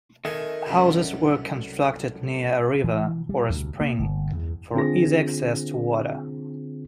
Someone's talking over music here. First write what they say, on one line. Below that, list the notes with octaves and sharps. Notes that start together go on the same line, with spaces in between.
Houses were constructed near a river or a spring for easy access to water.
D#3 A4 D#5 E5 G#5
C2 F#2 B2
E3
G3
D2
A#3
G1
E2
D3 C4 D4 F4 G#4 A#6